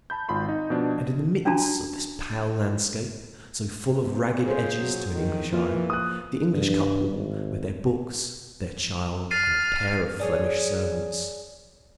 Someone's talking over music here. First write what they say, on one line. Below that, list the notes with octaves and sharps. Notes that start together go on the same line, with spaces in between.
And in the midst of this pale landscape, so full of ragged edges to an English eye, the English couple, with their books, their child, and a pair of Flemish servants.
A5 B5 G6
G#1 F4 B5 C6
D#4
B2 F3 D4
C#4 D4 F4 F#4 A5 A#5
B3 C4 C5
C#3 F4 G#4 C5
F#3
D#3
E3 F3 A#3 F4
D#6 F#6
G2
G#1
F6 A6 C7 D#7
D4 G#4 C#5